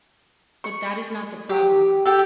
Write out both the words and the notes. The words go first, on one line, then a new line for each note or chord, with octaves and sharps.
But that is not the problem.
C#6
G4
G4 A4